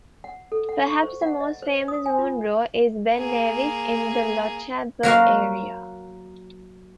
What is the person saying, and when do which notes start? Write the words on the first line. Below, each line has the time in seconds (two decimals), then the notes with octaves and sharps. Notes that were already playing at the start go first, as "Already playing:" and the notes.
Perhaps the most famous Munro is Ben Nevis in the Lochaber area.
0.24 F#5
0.52 A4
0.69 F#5
0.87 C#6
1.03 C5
1.22 F#5
1.40 D#5
1.62 C5
1.88 D#6
2.06 G#5
2.18 F4
3.16 A#3 G#4
5.03 F#3 A#3 F#4 F5